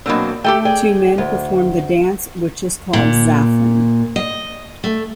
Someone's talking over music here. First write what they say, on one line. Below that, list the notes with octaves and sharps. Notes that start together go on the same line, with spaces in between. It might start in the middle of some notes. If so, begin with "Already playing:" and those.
Two men perform the dance, which is called "Zaffan".
B2 F#3 A#3 C4 D4
A3 G4 A4 G5
G#4 D5 G5
D2
A#2
D#5
A3